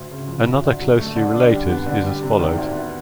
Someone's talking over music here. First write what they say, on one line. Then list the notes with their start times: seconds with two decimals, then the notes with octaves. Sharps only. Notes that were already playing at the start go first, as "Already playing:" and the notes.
Another closely related is as followed.
Already playing: D2
0.11 C#3
0.28 F3
0.46 D2
0.64 D3
0.81 F#3
0.99 A3
1.16 D3
1.34 D4
1.51 G3
1.69 B3
1.86 D3
2.04 G3
2.22 C3
2.39 D#3
2.57 D2
2.74 B3